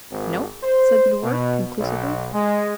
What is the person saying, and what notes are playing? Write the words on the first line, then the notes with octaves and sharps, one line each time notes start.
"No," said the dwarf, conclusively.
G#1
C5
B2
B1
G#3